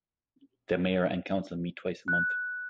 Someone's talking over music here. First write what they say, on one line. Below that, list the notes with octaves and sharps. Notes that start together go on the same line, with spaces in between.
The mayor and council meet twice a month.
F#6